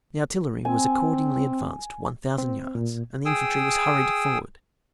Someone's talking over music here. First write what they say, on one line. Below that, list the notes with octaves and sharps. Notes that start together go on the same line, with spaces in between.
The artillery was accordingly advanced one thousand yards and the infantry was hurried forward.
C4 G#5
C4
A#2
G#4 G5 D#6 E6